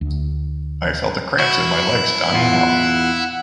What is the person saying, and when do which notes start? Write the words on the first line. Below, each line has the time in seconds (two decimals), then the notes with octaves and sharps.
I felt the cramps in my legs dying out.
0.01 D2
1.39 E4 F#4
2.32 E2 F4 F#5